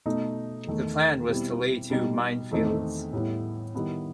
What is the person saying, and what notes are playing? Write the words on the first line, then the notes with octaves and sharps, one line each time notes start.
The plan was to lay two minefields.
B2 A3 D#4
E2 D#3 A3
B2 G3 C4 E4
B2 G3 D#4
E2 D#3 A3 C4 D#4
A2 G3 B3 E4
D#3 G3 B3 E4